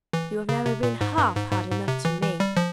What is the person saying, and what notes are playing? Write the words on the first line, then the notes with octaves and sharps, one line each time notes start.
You have never been half hard enough to me.
E3
C#3
C3
A#2
G#2
G2
G#2
G#2
G#2
C3
E3
E3
G3
F3